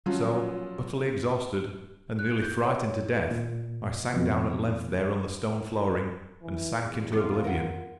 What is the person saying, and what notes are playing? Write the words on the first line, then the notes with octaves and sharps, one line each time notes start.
So, utterly exhausted, and nearly frightened to death, I sank down at length there on the stone flooring, and sank into oblivion.
F3 F#3 C#4 F4
F#6
G6
C#5
A#2
F2 B2
E3
E2
D#2 C3 G#3 F4
A#4 F#5